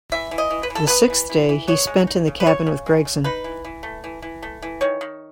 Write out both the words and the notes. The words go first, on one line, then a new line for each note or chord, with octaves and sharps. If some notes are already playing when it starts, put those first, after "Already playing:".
The sixth day he spent in the cabin with Gregson.
E3 E5
E3
D#5
E3
B4
E3
A4
B3 B4
E3
E3
E3
B3 C#5
G#3
D#4
C#3
B4
C#3 C#5
C#3
G#3
C#3
D#4 B4
E3
E3
A3
E3
E3
A3
E3
D#3 C#5
D#3